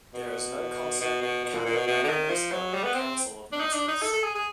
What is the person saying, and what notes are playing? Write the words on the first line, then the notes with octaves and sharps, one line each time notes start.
There is no concept of cabinet rank minister in the council of ministers.
B2
B2
B2
B2
A#2
A#2
B2
B2
D3
D#3
F3
F#3
G3
B3
C4
D4
D#4
D4
D#4
A4
A4
G#4
G#4